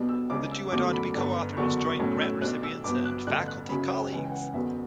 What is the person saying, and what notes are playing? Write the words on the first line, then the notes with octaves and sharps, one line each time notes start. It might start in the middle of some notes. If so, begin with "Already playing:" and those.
The two went on to be co-authors, joint grant recipients, and faculty colleagues.
Already playing: B1 B2 G3 B3 D4
E6
C#2 C#3 G3 D4 D6
E6
F#1 E2 D3 F#3 A3 D6
B5
G1 G2 D3
F#1 E2 D3 F#3 C#6
C#6
B1 A2 F#3 C#4
E6
B1 B2 G3 D4 F#6
E6
G1 G2 F#3 B3 D6
F#6
A1 G2 D3 F#6
F#6
F#2 C#3 F#3 C#4 B5
G5
C#2 C#3 E3
G5
F#5
F#1 E2 D3 F#3 B3 E5